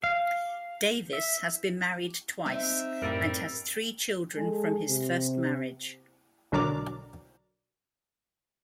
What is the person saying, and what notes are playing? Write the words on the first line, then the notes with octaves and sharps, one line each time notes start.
Davis has been married twice and has three children from his first marriage.
F5
E5
C4 D#4 E5
F#2 A2 G3 A4 A#4
G#3 G#4 A4
C3
B1 D3 F#3 A#4 D5